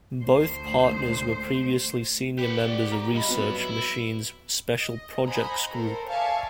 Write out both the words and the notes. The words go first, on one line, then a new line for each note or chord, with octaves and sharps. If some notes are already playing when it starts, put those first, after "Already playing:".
Both partners were previously senior members of Research Machine's Special Projects Group.
D2 C5
G4 B4 F#5
D5
A#5
G2 F4 D#5 B5
F#3 B3
E4
D#5
C5 D#5 F#5 G#5 A#5 B5
A4 A#4 C5
D5 E5 F5 G#5 A5 C#6